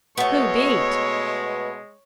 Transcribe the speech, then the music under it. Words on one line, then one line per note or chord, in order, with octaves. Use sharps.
"Who beat?"
B2 G#3 A3 B3 C#5